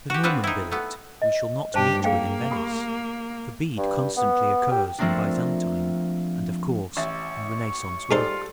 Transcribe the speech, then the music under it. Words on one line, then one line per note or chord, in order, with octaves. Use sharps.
The Norman billet we shall not meet with in Venice; the bead constantly occurs in Byzantine, and of course in Renaissance work.
F#4 G4
B3 C4 D4 F4 F#4 B4
D#4 E4
A3 B3
D#5
G2 G4 C5 A5
A#3 G#4 F5 G5
G4 B5 D#6
G2
B3
G4
F3 A3 A#3 C4 D4
A1 E5 C#6 A6
G3 G#3 D#4 F4 A4 C5 D5